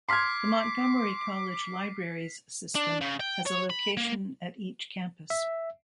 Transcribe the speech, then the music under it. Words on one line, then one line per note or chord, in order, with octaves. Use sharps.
The Montgomery College Libraries system has a location at each campus.
C6 D6 F6 G#6 B6 C7
D4
C#3
G5
C#5
B5
A#3
E5